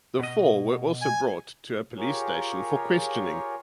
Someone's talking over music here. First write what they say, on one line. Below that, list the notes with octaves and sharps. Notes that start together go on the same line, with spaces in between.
The four were also brought to a police station for questioning.
B2 D#5
G#5
F4 G4 G#4 A#4 C#5